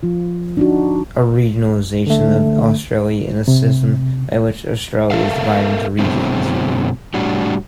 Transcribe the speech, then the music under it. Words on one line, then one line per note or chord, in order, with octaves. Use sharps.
A regionalisation of Australia is a system by which Australia is divided into regions.
F3 F4
D4 D#4 F#4
D3 A3
C3
A4 A#4 E5 F5
F#2 B2 D3 G#3 C4 E4
A2 G3 D4 F#4